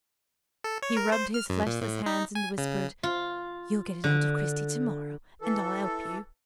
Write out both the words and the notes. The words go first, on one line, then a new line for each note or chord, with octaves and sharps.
He rubbed his fleshless hands, and whispered: "You'll get it out of Cristy to-morrow, and I'll help you."
A4
C#5
A#4
C5
F6
F#2
A#2
A2
D#4
G#5
C#3
F4
D3
E3 A4